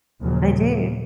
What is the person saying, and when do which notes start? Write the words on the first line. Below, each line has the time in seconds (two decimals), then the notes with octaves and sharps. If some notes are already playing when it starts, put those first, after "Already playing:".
They do.
0.21 D#2 A#2 C#3 F3 F#3
0.53 A#2